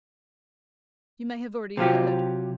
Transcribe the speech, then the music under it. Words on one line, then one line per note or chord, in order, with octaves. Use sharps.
"You may have already heard?"
C3 F#3 F4 G4